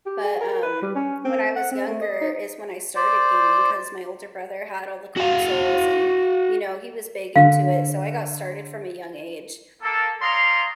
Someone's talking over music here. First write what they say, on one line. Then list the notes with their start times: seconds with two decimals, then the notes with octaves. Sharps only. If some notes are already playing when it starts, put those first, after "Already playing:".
But, um, when I was younger is when I started gaming, 'cause my older brother had all the consoles and, you know, he was big into it, so I got started from a young age
0.06 G4
0.24 G#4
0.41 A#4
0.62 B4
0.83 G3
0.95 C#4
1.25 C4
1.56 F#5
1.71 C4
1.88 A3
2.01 D#5
2.21 D#4
2.96 C5 D5
5.17 F#4 F5
7.36 D3 F5
9.83 A#3 A4
10.21 G3 C#5 F5 A#5 C6 D#6